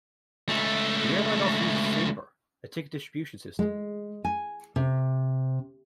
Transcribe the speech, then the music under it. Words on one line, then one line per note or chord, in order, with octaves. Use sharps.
The airline also uses Sabre, a ticket distribution system.
C#2 A3
G#3
G#5
C3